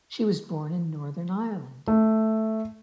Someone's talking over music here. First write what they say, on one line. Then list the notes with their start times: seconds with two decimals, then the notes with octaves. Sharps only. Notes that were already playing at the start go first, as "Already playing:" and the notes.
She was born in Northern Ireland.
1.88 A3